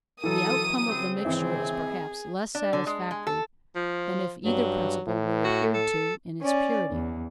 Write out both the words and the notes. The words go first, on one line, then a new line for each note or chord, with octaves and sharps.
The outcome of the mixture is perhaps less satisfactory than if either principle were adhered to in its purity.
E3 F#3 A4 D#6 D#7
C#3 C4
G#1 E3 G#4 E5
D4
D3
G#3
G#3
A4
F3
G2 F#3
A2
F#4
A4
C#4 D5
E2